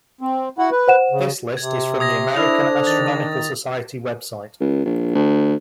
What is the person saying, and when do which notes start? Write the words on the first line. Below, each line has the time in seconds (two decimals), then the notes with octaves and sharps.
This list is from the American Astronomical Society website.
0.21 C4
0.58 E4 F#4 F#5
0.71 B4
0.88 C5 F#5 E7
1.11 C#3
1.57 C3 G#6
2.00 D#6 G#6 A#6
2.36 D4 E4 A4 C5 F7
2.87 D#3 A6
4.60 C#2
4.85 A#1
5.15 D2